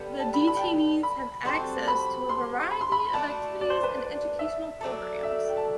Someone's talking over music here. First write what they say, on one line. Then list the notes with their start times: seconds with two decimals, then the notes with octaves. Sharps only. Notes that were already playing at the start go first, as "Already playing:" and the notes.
The detainees have access to a variety of activities and educational programs.
Already playing: D3 G3 B3
0.19 A5
0.34 B5
0.47 B5
0.57 G5
0.61 A5
1.03 B5
1.45 G3 C4 F#4 A4 C6
1.88 B5
2.29 C6
2.71 B5
2.81 C6
2.92 B5
3.13 A3 D4 F#4 A5
3.61 D5
3.70 C5
3.83 B4
3.98 D5
4.39 E5
4.81 F#3 A3 D4 A4
5.23 E5
5.48 G5
5.57 A5